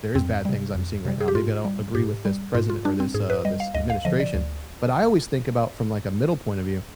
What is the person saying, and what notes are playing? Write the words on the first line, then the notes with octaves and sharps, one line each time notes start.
There is bad things I'm seeing right now. Maybe I don't agree with this president or this uh, this administration,” but I always think about from, like, a middle point of view.
F2 C4
C3 G3
F2
C3 G3
G#4
G4
G#2 F4
G3
G#2 G4
G3
G#2 F4
F4
G3 D4
C4
G#2 G#4
B4
G3 D#5
F5
D2 D#5
F5
D3 F3 D#5
D5
D2